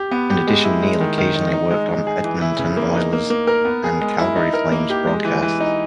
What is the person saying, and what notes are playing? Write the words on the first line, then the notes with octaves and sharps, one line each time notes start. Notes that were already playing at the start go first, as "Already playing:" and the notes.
In addition, Neale occasionally worked on Edmonton Oilers and Calgary Flames broadcasts.
Already playing: G4
B3
G4
G#3
E4
G#3
D#3
D#3
D#4
D#4
G#3
G#3
G#4
E3
E4
C#3
A#3
D#4
A#3
A#3
A#4
B3
G#4
G#3
E4
D#4
A#4
A#3
G4
G#3
E3
E3
D#4